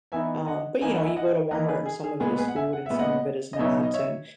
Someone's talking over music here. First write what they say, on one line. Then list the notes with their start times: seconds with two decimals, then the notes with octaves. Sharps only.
um, but, you know, you go to Walmart, and some of it is food and some of it is not, and,
0.12 E3 B3 D#4 E5 G#5
0.47 D#5 F#5
0.81 E3 A#3 D#4 G#5
0.93 F#5
1.03 E5 G#5
1.16 D#5 F#5
1.51 E3 A#3 D#4 B4 D#5
1.68 G#4 B4
1.86 G#4
2.04 G#4
2.20 A#2 G#3 B3 G#4
2.38 G#4 B4
2.48 F#5
2.56 E5 G#5
2.73 F#5
2.86 A#2 G#3 B3 E5
2.99 D#5 F#5
3.53 D#5
3.59 B2 F#3 B3 D#4 C#5 E5
3.83 D#5
3.94 C#5 E5